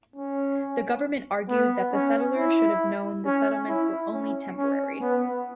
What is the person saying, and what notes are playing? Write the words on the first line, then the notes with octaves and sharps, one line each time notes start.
The government argued that the settlers should have known the settlements were only temporary.
C#4
B3
C#4
E4
C#4
E4
C#4
C#4
B3